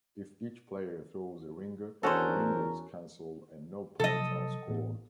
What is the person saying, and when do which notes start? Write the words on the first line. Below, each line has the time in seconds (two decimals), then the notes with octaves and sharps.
If each player throws a ringer, the ringers cancel and no points are scored.
2.03 E2 C#4 D4 F#4 A4 A#4 C5
4.00 C3 F3 F#3 A4 D#5
4.68 A1 A2 B3